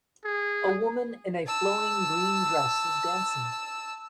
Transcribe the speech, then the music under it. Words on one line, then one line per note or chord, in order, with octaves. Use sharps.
A woman in a flowing green dress is dancing.
G#4
A5 E6